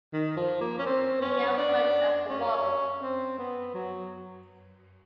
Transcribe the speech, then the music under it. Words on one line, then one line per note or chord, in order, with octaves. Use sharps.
Grenier worked as a model.
D#3
F3
A#3
C#4
C4
C#4
D4
C#4
C4
B3
F#3